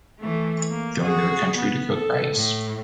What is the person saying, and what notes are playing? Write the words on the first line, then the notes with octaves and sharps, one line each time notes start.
Going to the country to cook rice.
E3 A3
A#3
F#4 G#4
B3
A4
A2